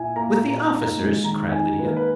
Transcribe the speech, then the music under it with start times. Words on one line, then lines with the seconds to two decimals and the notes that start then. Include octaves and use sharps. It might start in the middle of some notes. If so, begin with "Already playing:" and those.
"With the officers!" cried Lydia.
Already playing: A#2 E4 G#5
0.16 A#3 A#5
0.32 A#5
0.43 A#2
0.49 A#5
0.65 A#5
0.70 D#4
0.82 A#5
0.97 G#3
1.24 D#3 A#5
1.52 D#4 G#5
1.78 A#3 B4
1.87 A#4
1.97 B4